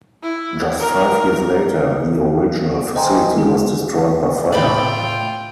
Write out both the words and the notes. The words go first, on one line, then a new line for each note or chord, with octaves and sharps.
Just five years later, the original facility was destroyed by fire.
E4
A#4
C5 D#5 G5 G#5 A#5 C6
G#3 G#4
A2 F4 D5 E5 G5 B5